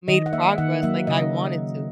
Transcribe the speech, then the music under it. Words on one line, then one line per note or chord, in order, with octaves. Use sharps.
made progress like I wanted to."
D#3 D#5
F#5
A#3 E5
D#3 F#5
F#3 A#3 E5
C#3 D#5